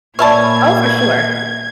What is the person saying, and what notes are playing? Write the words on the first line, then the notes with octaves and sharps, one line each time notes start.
Oh, for sure.
A#2 C#4 D5 E5 A5 B5 C#6 G#6